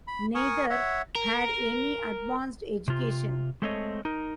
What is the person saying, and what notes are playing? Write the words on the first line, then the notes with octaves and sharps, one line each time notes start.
Neither had any advanced education.
B5
A#4 G#5 C#6 D#6
C#5 E5 F#5
A#4
C3 F4
G#3 A3 C4 A4 C#5 D#5
D#4 A#4